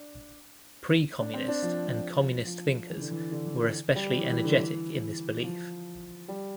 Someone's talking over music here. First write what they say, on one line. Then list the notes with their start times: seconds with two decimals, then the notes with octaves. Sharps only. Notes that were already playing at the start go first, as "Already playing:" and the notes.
Pre-Communist and Communist thinkers were especially energetic in this belief.
Already playing: D4
1.20 D4
1.34 C4
1.48 D4
1.62 F3
2.46 F3
2.90 E3
3.01 D3
3.11 E3
3.32 D3
3.46 E3
3.96 G3
4.17 E3
4.30 E3
4.45 D3
4.60 E3
5.44 F3
6.28 G3